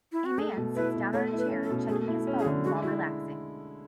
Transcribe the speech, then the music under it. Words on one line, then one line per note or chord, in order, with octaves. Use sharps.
A man sits down on a chair, checking his phone while relaxing.
E4
F#4
A3 G#4
B2
E4 B4
B2
A3 C#5
E4
B4
C#4
A4
B2
A3 G#4
E4
C#4
G#4
D3
G#3 F#4
E4 F#4